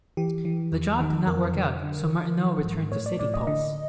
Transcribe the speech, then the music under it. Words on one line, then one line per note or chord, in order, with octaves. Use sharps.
The job did not work out, so Martineau returned to City"Pulse".
E3 G4
E3
E2
D#3
F2 A#4
D3
D3
D3
E3
G#2
A2 C#5
D5
A2 D5
D#5
D3 D#5